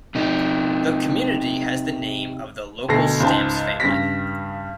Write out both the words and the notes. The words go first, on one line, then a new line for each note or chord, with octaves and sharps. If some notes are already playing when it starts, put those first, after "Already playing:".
The community has the name of the local Stamps family.
C3 D#4
D2 B2 A4 A#6 C7
C#2 G#2 C5 A5
G2 C#3 A#6 B6